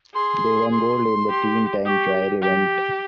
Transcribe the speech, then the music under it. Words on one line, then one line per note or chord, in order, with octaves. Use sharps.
They won gold in the team time trial event.
G#4 C6
C6
G4
G4 C#6 D#6
G4